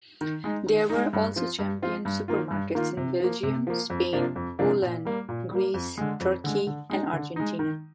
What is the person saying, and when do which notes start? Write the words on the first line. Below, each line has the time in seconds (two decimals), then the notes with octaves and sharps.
There were also Champion supermarkets in Belgium, Spain, Poland, Greece, Turkey and Argentina.
0.21 D#3
0.44 G#3 D#4
0.66 D#3
0.90 G#3 D#4
1.13 G2
1.36 F3 C4 F4
1.59 G2
1.82 F3 C4 F4
2.05 G2
2.28 D#3 A#3 F4
2.51 G2
2.75 D#3 A#3 F4
2.97 C3
3.20 F3 A#3
3.43 C3
3.67 F3 A#3
3.90 F2
4.13 C3 F3 A#3 D4
4.36 F2
4.59 C3 F3 A#3 D4
4.82 A#2
5.05 G3 A#3
5.29 A#2
5.51 G3 A#3
5.74 F2
5.98 D3 G#3
6.20 F2
6.44 D3 G#3
6.67 D3
6.90 G#3 D#4
7.13 D3
7.36 G#3 D#4
7.59 D#3